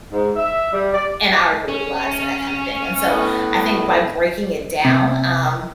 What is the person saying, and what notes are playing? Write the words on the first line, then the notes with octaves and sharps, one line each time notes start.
"in our daily lives," and that kinda thing, and, so I think by breaking it down, um,
G#2
E5
G3
D5
C#4
A2 B3
C3